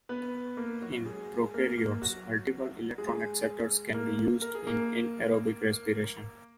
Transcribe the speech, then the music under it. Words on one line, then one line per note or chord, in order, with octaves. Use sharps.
In prokaryotes, multiple electron acceptors can be used in anaerobic respiration.
B3 B4
A#3 A#4
F#3 F#4
G#3 G#4
A#3 A#4
A#3 A#4
F#3 F#4
G#3 G#4
A#3 A#4
A#4
G#4
A#3 A#4